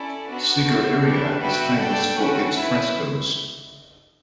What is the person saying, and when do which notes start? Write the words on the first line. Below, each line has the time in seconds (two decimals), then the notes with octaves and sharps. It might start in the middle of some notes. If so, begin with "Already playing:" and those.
Sigirirya is famous for its frescoes.
Already playing: C#4 E4 A4 D5
0.29 B3 D4 F#4 B4 F#5
0.66 A3 D4 F#4
1.03 A3 D4 G4 B4
1.41 B3 F#4 B4 E5 G5
1.79 D4 A4 D5 G5
2.17 A3 C#4 F#4 B4
2.55 E4 B4 E5